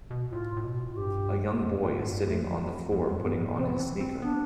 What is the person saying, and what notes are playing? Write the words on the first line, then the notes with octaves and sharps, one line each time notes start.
A young boy is sitting on the floor putting on his sneaker.
B2
A2 F4
A2
B2
A2 F4
G2 G4
F2
A2
A2
G2
F2 A3
F3
E2 F3
F2 G3
A2
G2 B3
A2 B3
C3 C4
B3
E3 C4
C4
B3 D4